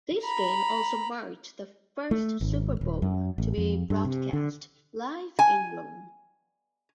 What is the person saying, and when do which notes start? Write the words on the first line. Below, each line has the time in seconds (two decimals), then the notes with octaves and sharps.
This game also marked the first Super Bowl to be broadcast live in Rome.
0.24 A#5 B5
2.11 A3
2.41 G#1
2.81 D#1
3.02 F#2
3.38 A1
3.58 F2
3.90 G2
4.05 C3
4.33 D3
5.39 G#5